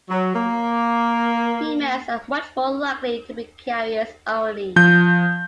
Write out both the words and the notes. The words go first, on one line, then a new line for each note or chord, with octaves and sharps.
Females are much more likely to be carriers only.
F#3
A#3
F3 G6